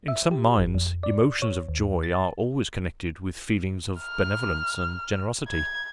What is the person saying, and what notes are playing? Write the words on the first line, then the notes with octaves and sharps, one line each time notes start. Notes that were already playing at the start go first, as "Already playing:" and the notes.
In some minds, emotions of joy are always connected with feelings of benevolence and generosity.
E5
G4
G1
F2
D5
C#5
D#2
A6
F6
G#6